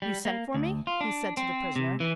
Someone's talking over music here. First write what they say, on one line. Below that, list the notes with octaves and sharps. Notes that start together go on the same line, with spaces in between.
"You sent for me?" he said to the prisoner.
G3
A#3
D2
F4
D4
C4
C3
E3